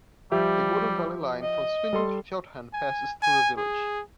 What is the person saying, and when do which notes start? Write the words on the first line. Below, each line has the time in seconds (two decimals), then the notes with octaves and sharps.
The Golden Valley Line from Swindon to Cheltenham passes through the village.
0.32 F3 G3 G4 E5
1.43 D#5
1.93 G3 A4 C6
2.73 G#5
3.23 G#5
3.58 G#4